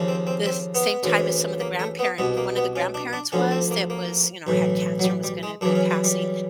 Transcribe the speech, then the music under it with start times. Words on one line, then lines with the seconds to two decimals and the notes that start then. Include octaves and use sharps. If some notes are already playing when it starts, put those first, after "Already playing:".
the same time as some of the grandparent one of the grandparents was that was, you know, had cancer and was gonna be passing,
Already playing: D#2 C#3 F3
0.08 C4
0.27 C4
0.46 C4
0.75 B3
1.03 D2 C#3 E3
1.60 A#3
1.79 A3
1.99 B3
2.18 C2 B2 B3
2.37 A#3
2.56 B3
2.76 C#4
2.94 D4
3.13 D4
3.32 D2 D3 F3 C#4
3.51 C4
3.71 A#3
3.90 A#3
4.47 B1 A2 E3
4.99 F#3
5.04 G3
5.24 G3
5.43 G#3
5.61 F#2 C#3 E3 D4
5.75 C#4
5.90 G3
6.04 G3